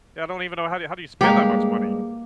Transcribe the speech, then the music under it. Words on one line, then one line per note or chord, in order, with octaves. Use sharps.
Yeah, I don't even know how do how do you spend that much money?
G2 G#3 A#3 G4